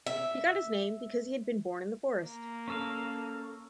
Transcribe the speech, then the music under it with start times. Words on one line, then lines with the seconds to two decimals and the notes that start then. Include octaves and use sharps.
He got his name because he had been born in the forest.
0.07 E5
2.27 A#3
2.68 C#4 A4 F5